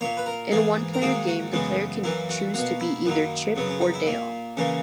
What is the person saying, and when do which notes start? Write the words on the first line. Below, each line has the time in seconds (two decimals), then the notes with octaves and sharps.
In a one-player game, the player can choose to be either Chip or Dale.
0.01 A#2 A#3 C#5
0.17 B4
0.26 A#4
0.51 G#2 E3 A#3 G#4
0.94 A#4
1.02 G#2 D#3 F#3 A#3 G#4
1.27 F#4
1.53 F#2 C#3 E3 G#3 B3
2.04 F#2 E3 A#3 E4
2.29 F#4
2.54 B2 A#3 F#4
2.80 E4
3.06 F#2 D#3 F#3 A#3
3.56 F#2 C#3 F#3 B3
3.69 C#4
3.81 D#4
3.94 E4
4.06 A#2 A#3
4.57 C#3 E3 A#3 C#4